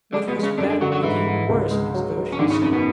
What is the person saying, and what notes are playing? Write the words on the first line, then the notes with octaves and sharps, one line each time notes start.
What was bad became worse in his versions.
D3 G#3 D4
B2 B3
G#3
C#3 C#4
F#2 D3 D4
D3 D4
D3 F#3 F#4
F#3 F#4
G#2 E3 E4
G#2
C#2
G#3
F#3
F#3
C#4
G#1 D3 D4
C#3 C#4
F#2 C#3 C#4
B2 B3